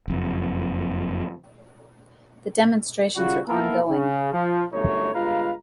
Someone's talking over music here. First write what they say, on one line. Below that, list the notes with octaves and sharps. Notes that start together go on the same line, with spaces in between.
The demonstrations are ongoing.
F#1 F2
C#3 G3 F4 F#4
A#3 B3 E4 F4 A4 A#4
C#3
F3
G1 F#2 A3 D#4 C#5
G1 G#3 F4 B4 F5 A#5